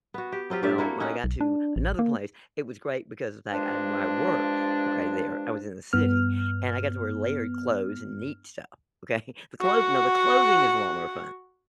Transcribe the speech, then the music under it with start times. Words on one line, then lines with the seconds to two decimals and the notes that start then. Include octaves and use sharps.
Well, when I got to another place, it was great because of the fact I where I worked, okay, there, I was in the city, and I got to wear layered clothes and neat stuff. Okay? The clothes no, the clothing is a lot more fun.
0.14 B3 F#4
0.32 G4
0.50 F#3 C4 F4 G4
0.63 G2 G4 D5 E5
0.78 A#3 E4 F#4 A4
1.00 C#4 D#4 F#5
1.24 B1
1.41 D4
1.76 A1
1.99 A#3
3.51 G2 F3 G#3 D4
5.93 G2 B3 F6
9.61 F#4 F#5